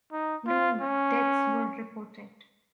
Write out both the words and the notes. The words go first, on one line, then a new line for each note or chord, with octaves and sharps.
No deaths were reported.
D#4
F4
C#4